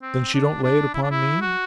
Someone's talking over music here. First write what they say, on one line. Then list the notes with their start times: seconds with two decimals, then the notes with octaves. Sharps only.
Then she don't lay it upon me?
0.02 C4
0.34 D4
0.63 D4
0.94 E4
1.03 D4
1.11 E4
1.41 F#4